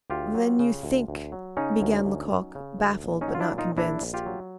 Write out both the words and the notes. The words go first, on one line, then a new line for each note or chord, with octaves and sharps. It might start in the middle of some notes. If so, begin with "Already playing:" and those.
"Then you think--" began Lecoq, baffled but not convinced.
D2 F4 G4
F#3
C#3
D2
D2
F#3
C#3 C#4 D#4
D2
D2
F#3
C#3
D2
A#1
C#4 D#4
F#3
F4
D4 E4
A#2
D#4 F4
A#1 D4 E4
A#1
F4 G4
F#3